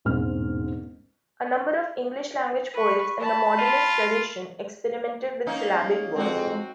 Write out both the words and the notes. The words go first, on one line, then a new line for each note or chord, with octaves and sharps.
A number of English-language poets in the Modernist tradition experimented with syllabic verse.
E1 A1 G#2 G#3 C4 F6
B4 C#6
A5 B5
F4
A#3 C#4 D#4
F2 G#3 C4 F#4